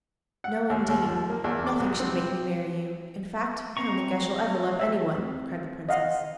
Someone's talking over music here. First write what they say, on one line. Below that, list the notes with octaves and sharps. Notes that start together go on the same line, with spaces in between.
'No, indeed; nothing should make me marry you; in fact, I don't think I shall ever love anyone,' cried the Princess.
F#5
D#2
D#2
F3
A#3
E2
D6
B1
C4
C4 A#5 C#6
E5
D#5 F5 F#5